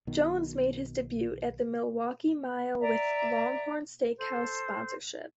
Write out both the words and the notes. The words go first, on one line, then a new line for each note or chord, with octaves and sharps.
Jones made his debut at The Milwaukee Mile with Longhorn Steakhouse sponsorship.
B1 B2 D#3
D5 E5 A#5
A4 C5